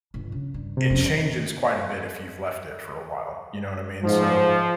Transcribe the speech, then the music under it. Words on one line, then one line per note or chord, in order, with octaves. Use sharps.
it changes quite a bit if you've left it for a while, you know what I mean, so
G1 B2
C#3
G2
C3
F2 C3 C#4
G#2 F3